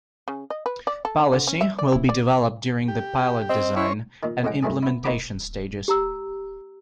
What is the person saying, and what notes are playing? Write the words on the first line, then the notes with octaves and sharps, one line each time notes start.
Policy will be developed during the pilot design and implementation stages.
C#3
D#5
B4
D5
A4
D4
D3
C#4
E5
D5
E4
D5
G4
C4 D#5
C#4 E4 C5 C#5
A#2 D#3
D2 A2 G#3 F#5 G5
C2 G2 A3 C4 G#4
B3 E4
A#3 D#4 F#4 G5 B5 D6
G4 A#5 E6